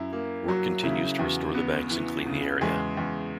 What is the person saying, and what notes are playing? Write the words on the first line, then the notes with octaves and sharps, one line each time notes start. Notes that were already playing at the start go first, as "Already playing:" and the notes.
Work continues to restore the banks and clean the area.
Already playing: F#2 E4
A#3
F#3 F#4
C#3 E4
E2 F#4
B3
E3
C#3
E2 G#3 G#4
E2